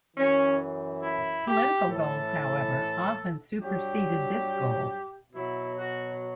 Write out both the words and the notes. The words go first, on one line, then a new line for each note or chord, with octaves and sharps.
Political goals, however, often superseded this goal.
F#2 E3 C#4
E4
G4
A2 E3 A4
G2 F#3 G4
B2 F#3 E4
F#4